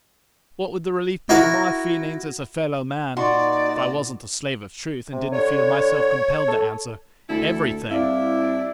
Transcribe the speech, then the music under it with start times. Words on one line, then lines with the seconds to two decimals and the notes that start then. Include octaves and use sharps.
What would the relief be to my feelings--as a fellow-man--if I wasn't the slave of truth, and didn't feel myself compelled to answer, Everything!'
1.29 E4 F#4 A#4
3.17 A#2 D#4 F#4 D5 C6
5.12 C3
5.32 D3 C#5
6.48 A4
7.29 D2 E4 A4
7.90 C2 D4 E4 F5